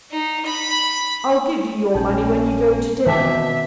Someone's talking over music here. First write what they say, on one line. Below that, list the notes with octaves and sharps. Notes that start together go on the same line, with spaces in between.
I'll give you your money when you go to dinner.
D#4
B5
A#1 C#4 D#4 C#5
B2 D#3 E3 C4 C#4 E5 A5 D6